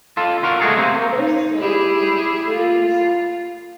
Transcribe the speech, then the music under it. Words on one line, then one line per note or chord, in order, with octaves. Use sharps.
Others say he was the Buddha himself.
F4 A4
F4 F#4 A#4
G#3 A3 F#4 G#4 A4
C3 A#3 C4
D#4
E4 G4 G#4
F4